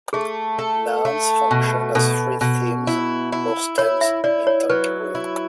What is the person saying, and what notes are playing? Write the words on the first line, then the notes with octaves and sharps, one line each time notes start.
Nouns function as free themes, or stems, in Tonkawa.
A3 G#4
A4
A3
B2
B2 A4
B2
E4
E4
E4 C#5
E5
E4 D5
C#5
F#3 B4
E4